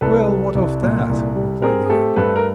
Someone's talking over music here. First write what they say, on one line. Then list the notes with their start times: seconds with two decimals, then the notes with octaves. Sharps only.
"Well, what of that?" replied the younger.
0.01 C2 A4 B4
0.28 G3
0.55 C2
0.83 A#2
1.09 C2
1.36 G3
1.62 C4 G#4 A#4
1.86 G#4
1.89 A3 G4 A4
2.16 G2 A4 B4
2.36 A#4